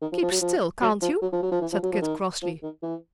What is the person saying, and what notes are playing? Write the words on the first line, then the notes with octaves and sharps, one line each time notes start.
"Keep still, can't you?" said Kit crossly.
D#3
F3
F3
F#3
F3
F#3
F3
F#3
F3
F#3
F3
E3
F3
F#3
F3
D#3
F3
D#3
E3